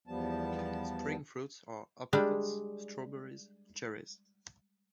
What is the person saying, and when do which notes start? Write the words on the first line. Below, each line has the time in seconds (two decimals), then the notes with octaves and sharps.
Spring fruits are apricots, strawberries, cherries.
0.08 E2 F3 G3 B3 A5
2.13 G3 G#3 D4